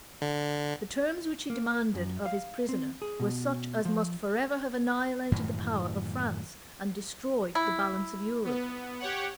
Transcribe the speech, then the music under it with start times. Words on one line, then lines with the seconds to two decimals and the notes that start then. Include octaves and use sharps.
The terms which he demanded of his prisoner were such as must forever have annihilated the power of France, and destroyed the balance of Europe.
0.22 D3
1.50 A#3
1.94 F#2
2.26 F5
2.69 C4
3.02 G#4
3.20 B2
3.85 F3
5.32 F#2 A2 D#3 E3
7.55 E4
8.45 B3
8.99 G4 C#5 F#5